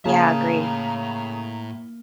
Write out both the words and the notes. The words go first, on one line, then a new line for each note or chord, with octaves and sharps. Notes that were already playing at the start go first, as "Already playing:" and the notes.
Yeah, agree.
A2 C#3 A#3 G#4 A5 A#5